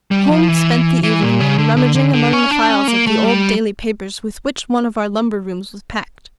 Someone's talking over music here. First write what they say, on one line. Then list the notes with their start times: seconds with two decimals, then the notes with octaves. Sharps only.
Holmes spent the evening in rummaging among the files of the old daily papers with which one of our lumber-rooms was packed.
0.11 G3
0.29 F3
0.48 E3
1.03 E3
1.22 A#2
1.40 C#3
1.58 D3
1.77 D3
1.95 D3
2.14 D3
2.33 C#4
2.51 D4
2.69 C#4
2.88 A#3
3.07 A3
3.24 G3